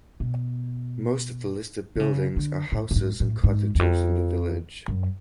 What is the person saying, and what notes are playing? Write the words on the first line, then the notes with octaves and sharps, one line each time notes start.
Most of the listed buildings are houses and cottages in the village.
B2
D3
C#3
D3
A2
G2
G#2
A2
G#2
E2
F2
F#2